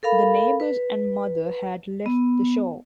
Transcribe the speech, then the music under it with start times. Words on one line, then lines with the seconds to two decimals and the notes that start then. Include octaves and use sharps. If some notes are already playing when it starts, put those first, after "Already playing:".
The neighbours and mother had left the show.
0.03 A4 A#4 F5 B5
0.60 B4
2.06 B3